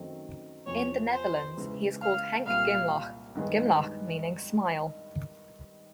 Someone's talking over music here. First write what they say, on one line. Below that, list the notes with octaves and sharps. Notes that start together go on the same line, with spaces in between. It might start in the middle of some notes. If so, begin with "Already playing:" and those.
In the Netherlands, he is called "Henk Glimlach", "glimlach" meaning "smile".
Already playing: F#2 D#3 F#3 A3 C4
E2 C3 F3 C#5
C5
C#2 C#3 E3 G#3 B3
F5
C2 A#2 G3 F5
G2 D#3 G#3 B3